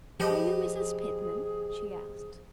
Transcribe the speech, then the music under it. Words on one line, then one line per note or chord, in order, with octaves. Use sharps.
"Are you Mrs. Pitman?" she asked.
F3 G4 G#4 B4 D#5